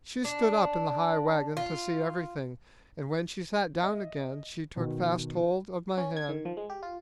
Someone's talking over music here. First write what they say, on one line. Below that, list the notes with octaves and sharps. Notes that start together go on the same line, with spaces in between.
She stood up in the high wagon to see everything, and when she sat down again she took fast hold of my hand.
D4
F4
D#5 E5
B2 D#3
C#4
G#6
D#3
F3
G#3
G4
F4